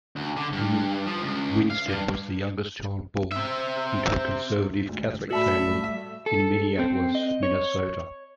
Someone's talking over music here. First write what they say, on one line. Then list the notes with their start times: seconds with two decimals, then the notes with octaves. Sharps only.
Winstead was the youngest child born into a conservative Catholic family, in Minneapolis, Minnesota.
0.16 D2
0.37 D3
0.53 G2
1.06 F3
1.22 C#2
1.70 F5
1.88 G2
3.32 C4 E5
4.89 D2 G#2
5.31 A2 A3 F#4 D5 E5 A5 B5
5.64 G3 A3
6.26 A4
6.79 C4
7.15 D#5
7.43 C#5